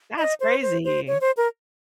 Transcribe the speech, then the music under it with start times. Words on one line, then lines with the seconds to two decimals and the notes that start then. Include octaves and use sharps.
That's crazy.
0.18 D#5
0.40 C5
0.62 C5
0.85 C5
1.07 C#5
1.21 C5
1.37 A#4